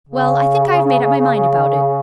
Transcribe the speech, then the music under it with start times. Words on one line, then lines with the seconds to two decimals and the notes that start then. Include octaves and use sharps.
Well, I think I have made up my mind about it.
0.09 C#3